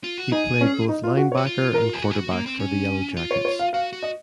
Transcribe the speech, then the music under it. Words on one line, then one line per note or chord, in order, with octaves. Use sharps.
He played both linebacker and quarterback for the Yellowjackets.
F4
F#4
D#4 G#4
C#4
D#4
F4
F#4
C#5
F#4
F4
A#4
G#4
F#4
G#4
F#4
A#3
C4
C#4
F4
C#5
C#5
F5
F#4 F5
F#4
D#5